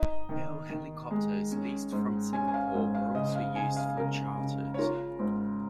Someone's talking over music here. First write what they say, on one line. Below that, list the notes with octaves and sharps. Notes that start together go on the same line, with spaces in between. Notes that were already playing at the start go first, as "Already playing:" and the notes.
Bell Helicopters leased from Singapore were also used for charters.
Already playing: D#4 D#5
D#3
D#3
G#3
C#4
G#2
C#4 G#5
G#5
F5
G#2
F5
C#3 D#5
F5
C#3 G#5
F5
C#3 A#4
C#3
C#5
F4 A#4
G#2